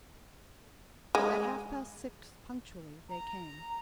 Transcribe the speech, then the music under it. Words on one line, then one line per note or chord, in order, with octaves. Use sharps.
At half-past six punctually they came.
G#3
A#5